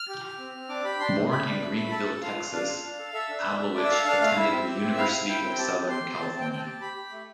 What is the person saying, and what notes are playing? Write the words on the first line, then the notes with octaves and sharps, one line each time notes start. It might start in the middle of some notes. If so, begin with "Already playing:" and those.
Born in Greenville, Texas, Ablowich attended the University of Southern California.
Already playing: F6
G4
G4
C4
C4
D4 D6
G4 B5
D4 C6
A3
G4 B5
D4
A3
A3
A4 A5
A4
F4 F5
F4
D4 F5
F4
D4
A4
A4 E5
D4
D4
A3
D4 D5
E5
A4 F5
D4 F5
A3 F5
E4 E5
C4
G4
C4
E4 F5
E4
E4 G5
C4
G4 A5
G4
G4 C6
C4
C4 A5
C4 G5
C4 G5
A5
G4
G4 B5
G4
A3